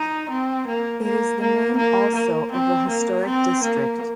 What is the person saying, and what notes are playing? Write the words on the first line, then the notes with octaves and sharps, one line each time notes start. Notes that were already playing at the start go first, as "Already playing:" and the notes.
It is the name also of a historic district.
Already playing: D#4
C4
A#3
A#3
A#3
A#3
A#3
C4
A#3
C4
A#3